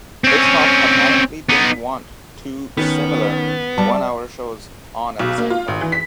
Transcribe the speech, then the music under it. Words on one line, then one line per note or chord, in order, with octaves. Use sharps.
Hitchcock apparently didn't want two similar one-hour shows on at the same time.
C4 C#4
B3 D#4
D#3 B3 C#4
G3 A5
B1
A#3
F4
G#1
E3
B6